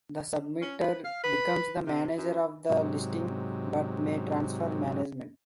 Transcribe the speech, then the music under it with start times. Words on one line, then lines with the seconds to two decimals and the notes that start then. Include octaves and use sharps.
The submitter becomes the manager of the listing but may transfer management.
0.62 C#4
0.83 B4
1.05 F5
1.24 B4
1.87 C3
2.17 F#2
2.70 G#2 C3 F#3